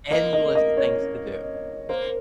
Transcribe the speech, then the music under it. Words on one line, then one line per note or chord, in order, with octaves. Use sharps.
Endless things to do.
A#3 D#5
D#5
D#5
C#5
A#3 C5